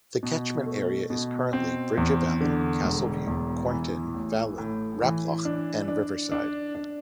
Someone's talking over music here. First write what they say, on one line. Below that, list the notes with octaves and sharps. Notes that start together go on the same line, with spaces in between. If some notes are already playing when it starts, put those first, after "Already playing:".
The catchment area is currently: Bridge of Allan, Castleview, Cornton, Fallin, Raploch and Riverside.
B2
A3
B2
C4
E2
D3
E1
E2
E3
A1
A2
E3
D4
D4
D4
D4